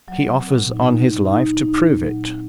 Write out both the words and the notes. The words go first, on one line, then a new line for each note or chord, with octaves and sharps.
"He offers on his life to prove it."
F#3
C4
A#2
D#4
D#4
F#3
D#4
D#4
D#4
A#2
F#3
C4